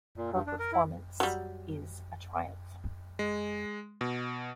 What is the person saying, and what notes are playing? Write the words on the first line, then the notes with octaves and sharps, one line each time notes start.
Her performance is a triumph.
A#2
G2
D4
A#4
E4
F#3 G3
G#3
B2